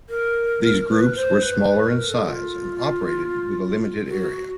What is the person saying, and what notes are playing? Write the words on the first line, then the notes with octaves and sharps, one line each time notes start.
These groups were smaller in size and operated with a limited area.
A#4
B4
C5
B4
B4
A#4
A4
F4
F#4